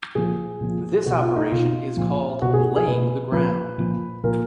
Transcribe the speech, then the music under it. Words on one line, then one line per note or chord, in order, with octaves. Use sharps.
This operation is called laying the ground.
A#2 F3 G#4
A#2 F3
B2 F#4
F4
D#4
B2 F4
A#2 F3
B2 F#4
G#4
G#4
G#4
B2 B4
A#2 F3 B4
A#2 F3
A#2 F3 A#4